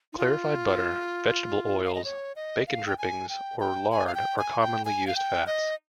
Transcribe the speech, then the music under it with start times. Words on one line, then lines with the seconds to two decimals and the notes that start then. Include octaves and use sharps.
Clarified butter, vegetable oils, bacon drippings or lard are commonly used fats.
0.13 D#4
0.18 F4
1.84 F5
1.95 D#5
2.04 C#5
2.36 D#5
2.67 F5
2.87 G5
2.98 G#5
3.29 G5
3.60 G5
3.92 G#5
4.07 F5
4.15 G5
4.39 G#5
4.61 G5
4.85 G#5
5.07 F5
5.16 G5
5.47 D#5